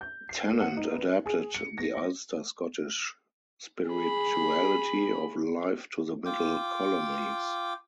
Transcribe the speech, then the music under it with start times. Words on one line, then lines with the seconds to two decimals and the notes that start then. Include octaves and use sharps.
Tennent adapted the Ulster Scottish spirituality of life to the middle colonies.
0.01 G6
0.29 C7
0.46 A3
0.61 F#5
0.77 D#4
0.96 B4
1.26 G#4
1.54 C#7
1.78 A#6
1.95 C5
3.90 G#4 B5
6.26 F4 G5 D6